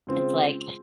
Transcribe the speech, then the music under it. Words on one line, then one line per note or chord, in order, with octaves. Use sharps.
it's like
C#3 G#3 C4 F4